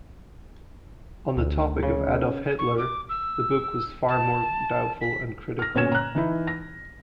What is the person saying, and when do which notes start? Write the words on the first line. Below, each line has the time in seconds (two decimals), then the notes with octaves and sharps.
On the topic of Adolf Hitler, the book was far more doubtful and critical.
1.37 D2
1.83 C#3
2.59 C#6
2.78 D6
3.09 E6
4.08 A5
5.01 B6
5.59 F6 A#6
5.75 G1 A#2 C#4 C#5 G#6 E7
5.92 A#5 F#6
6.15 E3 D#4 E4
6.47 A#6